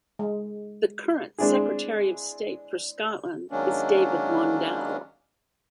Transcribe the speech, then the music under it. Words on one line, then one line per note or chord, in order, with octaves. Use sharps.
The current Secretary of State for Scotland is David Mundell.
G#3
G#3 C4 D4 E4 G#4
D#3 F#3 G#3 A#3 C#4 D4